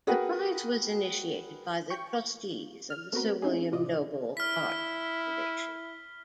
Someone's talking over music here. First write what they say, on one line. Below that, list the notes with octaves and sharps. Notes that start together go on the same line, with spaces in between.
The prize was initiated by the Trustees of the Sir William Dobell Art Foundation.
F#4 G#4 A#4 B4 F#5 G5
G5 C#6
F6
A3 B3 C4 F#4 A#4 B4
C4 C#4 D#4 E4 G#4
A2 C3 F3 F4 D5 D#5
E4 F6 B6